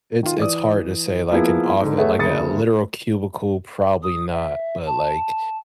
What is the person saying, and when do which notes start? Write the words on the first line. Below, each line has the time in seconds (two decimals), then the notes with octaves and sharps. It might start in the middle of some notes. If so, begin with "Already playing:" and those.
it's it's hard to say, like, an off like, a literal cubicle, probably not, but, like,
0.23 D#3 F4
0.37 E3 D5 D#6
1.31 F3 A#3 B3 E4 G#4
1.81 G#2 D3
1.98 A3 G#4 B4 C#5 E5 F#5
2.18 F#1 D2 D#6 A6 C#7
4.02 D#6
4.32 E5
4.86 A5